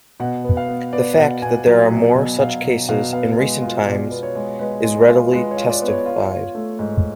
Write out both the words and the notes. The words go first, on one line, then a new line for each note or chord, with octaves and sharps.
The fact that there are more such cases in recent times is reliably testified.
B2 F#5
B3
F5
B3
B3 D5
B2 F#5
B2 G#5
F#3
B2
B2
B2 F5
B2
B2 F5
B3 F5
G#3
F4
B2 D5
B3
C#5
G#3
G#3 B4
G#3
F4
G#3 B4
C#5
F4
D5
B3
C#5
F4
F4
A3
G#2